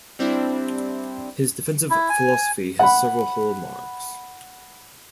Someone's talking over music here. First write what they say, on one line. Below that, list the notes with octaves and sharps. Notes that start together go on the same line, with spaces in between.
His defensive philosophy has several hallmarks.
G3 C4 D4 E4
E4
G#5
F#5 B5